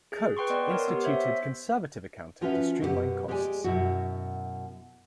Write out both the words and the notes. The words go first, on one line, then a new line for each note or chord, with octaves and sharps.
Cote instituted conservative accounting to streamline costs.
G#4
B4 G5 C6 C#6
B3 D5 D#5 C6
A#4 C#5 C6
B3 G4
C5 C#5 E5
F3 C#4 F4 F#4 B4 E5
F#2 B2 B3 F#4 G4 F#5
G#3 G4 G#4 D5 F#5 G#5
F#2 B2 E4 F#4